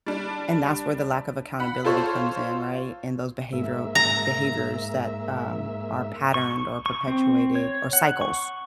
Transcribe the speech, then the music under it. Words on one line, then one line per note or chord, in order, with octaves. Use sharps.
and that's where the lack of accountability comes in, right, and those behavioral Behaviors that, um, are patterned or perpetuated or cycles.
G3 D4
F#5 B5
F4 A4 C5 C#5
G#2 A#3 E5
A#5
C#6
C#6
C4
C#5
F#5
C#6